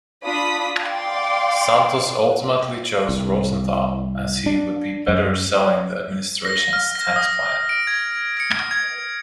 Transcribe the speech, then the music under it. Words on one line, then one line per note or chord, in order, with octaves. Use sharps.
Santos ultimately chose Rosenthal, as he would be better selling the administration's tax plan.
D4 F4 B5 D#6 B6
D5 F5 G5 C6 D6
C2
D4
F#2
A#6
F6
A#6
D#6
D7
G#6
C#7
G#6